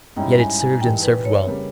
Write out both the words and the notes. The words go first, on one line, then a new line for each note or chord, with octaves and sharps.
Yet it served and served well.
G#2 G3 C#4 E4 G5
G#5
G#5
G2 E3 A#3 D#4 G5
B4
C#5
C#3 G3 A#3